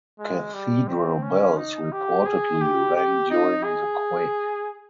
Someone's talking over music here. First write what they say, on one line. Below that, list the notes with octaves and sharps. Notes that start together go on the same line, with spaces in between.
Cathedral bells reportedly rang during the quake.
G#3
G3
C4
C#4
D#4
G4
G#4
G4
G4
D#4
G#4